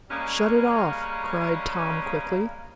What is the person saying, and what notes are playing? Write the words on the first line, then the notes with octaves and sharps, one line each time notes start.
"Shut it off!" cried Tom quickly.
C#3 G3 G#3 A#3 C#4